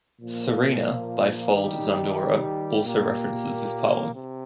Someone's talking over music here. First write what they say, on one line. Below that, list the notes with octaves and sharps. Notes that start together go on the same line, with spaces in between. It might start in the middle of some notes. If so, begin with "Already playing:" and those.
"Serena" by Fold Zandura also references this poem.
A#2 F3 A#3
D#3 G3 D#4 G4
A#2 A#3 G4
C3